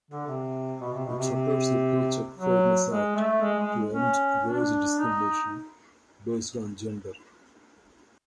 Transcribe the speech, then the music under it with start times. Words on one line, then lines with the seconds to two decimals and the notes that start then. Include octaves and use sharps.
It supports the Paycheck Fairness Act to end wage discrimination based on gender.
0.11 D3
0.27 C3
0.80 B2
0.93 C3
1.05 B2
1.19 C3
1.32 C3
2.37 F#3
2.90 G#3
3.15 A3
3.41 G#3
3.59 G#3
3.94 C#4
4.47 D4
4.99 D#4